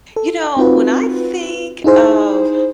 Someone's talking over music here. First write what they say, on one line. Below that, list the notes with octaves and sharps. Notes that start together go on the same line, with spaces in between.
You know, when I think of
A4
C4 D#4 F4 F#4 B4
D#4 E4 G#4 C5